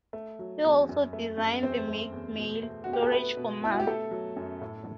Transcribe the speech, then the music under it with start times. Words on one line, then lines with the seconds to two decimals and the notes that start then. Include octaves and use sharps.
He also designed the mix mail storage format.
0.13 A3
0.39 F#3
0.64 E2
0.89 F#2
1.13 A3
1.38 F#2
1.63 E2 C4 C5
1.88 A3
2.12 E2
2.38 B2
2.63 A3
2.84 B2 F#4
2.93 G4
3.03 A4
3.12 A3 B3 B4
3.37 B2
3.62 B2 E4
3.72 F#4
3.80 G4
3.87 A3 A4
4.11 F#3
4.36 F#2
4.61 A2